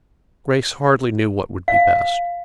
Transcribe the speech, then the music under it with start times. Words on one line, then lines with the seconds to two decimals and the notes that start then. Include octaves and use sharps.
Grace hardly knew what would be best.
1.68 F5